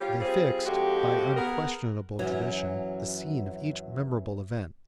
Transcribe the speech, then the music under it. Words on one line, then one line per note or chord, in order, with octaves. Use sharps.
They fixed, by unquestionable tradition, the scene of each memorable event.
G3 C#4 F4 G4
G3 C4 F4 G#4
F2 G#3 F#4 G4
B3 G#4 A#4
F#2 E3 F#3